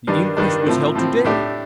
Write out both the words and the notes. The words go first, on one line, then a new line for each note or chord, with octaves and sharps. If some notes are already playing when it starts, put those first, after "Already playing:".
The inquest was held to-day.
G2 D#3 G3 D4
G2 D#3 G3 D4
A2 F3 C4
A2 F3 C4
A2 A3 D4 G4